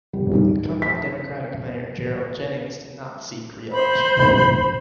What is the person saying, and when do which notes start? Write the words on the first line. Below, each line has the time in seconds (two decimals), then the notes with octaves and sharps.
Incumbent Democratic mayor Gerald Jennings did not seek reelection.
0.13 G3
0.34 D#4
0.82 B6
3.72 C5 B5